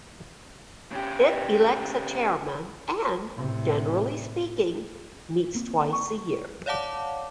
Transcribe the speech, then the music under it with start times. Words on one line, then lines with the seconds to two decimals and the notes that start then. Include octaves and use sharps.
It elects a chairman and, generally speaking, meets twice a year.
0.92 C#3 G4
3.37 A1 C3
5.55 A#3 C4
5.93 C#6
6.66 C#5 D5 F5 F#5 A5 D6